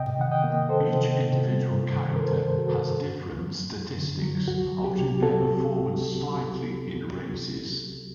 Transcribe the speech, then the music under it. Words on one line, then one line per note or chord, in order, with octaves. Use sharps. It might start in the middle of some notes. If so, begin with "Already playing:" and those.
Each individual character has different statistics, altering their performance slightly in races.
Already playing: C3 D#5 G5
D#3 F#5
D#5 G5
A#3
A#3 A4 C5
C3
C3
G3
G2
D#3
A#4
G2 A4 C5
D#3
F#4 A4
G2
F#2
F#3
F#3
F#2
D3
F#3
C2 F#4
F#3
G4
C3
C4 F#4 A4